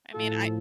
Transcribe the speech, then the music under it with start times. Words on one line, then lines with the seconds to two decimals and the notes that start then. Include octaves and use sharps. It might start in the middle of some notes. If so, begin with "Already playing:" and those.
I mean, I
0.14 A2 F3 F4 A4